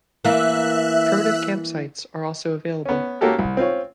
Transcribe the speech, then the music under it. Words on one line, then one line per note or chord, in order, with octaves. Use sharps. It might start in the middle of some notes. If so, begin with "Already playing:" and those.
Primitive camp sites are also available.
E3 A#3 E5 F#6
B3 C#4
A#3 C#4 F#4 G4 A4 A#4
C2
C4 C#4 F4 C#5